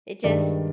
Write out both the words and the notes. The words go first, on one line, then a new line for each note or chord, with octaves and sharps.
It just
G2 D#3 G#3 D5